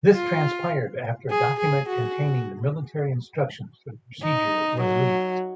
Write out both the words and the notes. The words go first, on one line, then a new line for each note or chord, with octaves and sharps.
This transpired after a document containing the military instructions for the procedure was leaked.
F4
G#4
G#4
F#4
D#4
F#3